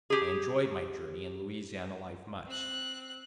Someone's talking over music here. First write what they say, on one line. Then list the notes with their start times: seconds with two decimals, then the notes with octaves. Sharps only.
I enjoy'd my journey and Louisiana life much.
0.10 G4 G#4
2.47 C4 F#6